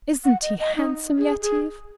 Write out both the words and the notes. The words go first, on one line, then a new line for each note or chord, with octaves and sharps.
Isn't he handsome, Yetive?
F#5
D#5
D#5
D#4
G#4
G#4